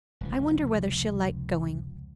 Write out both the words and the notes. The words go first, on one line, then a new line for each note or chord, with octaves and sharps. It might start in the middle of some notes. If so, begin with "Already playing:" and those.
I wonder whether she'll like going.
F1 C#2 F3